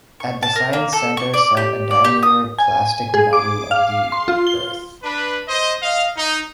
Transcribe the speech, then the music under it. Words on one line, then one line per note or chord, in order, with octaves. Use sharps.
At the sign's center sat a diameter plastic model of the Earth.
C#6
A5
A#4
A#3
A4
C#6
D5
G4
D5
G4
D#6
G#5
G#4
D6
F5
C6
F4
G7
D4 B4
C5 D#5
D#5 F5
D#4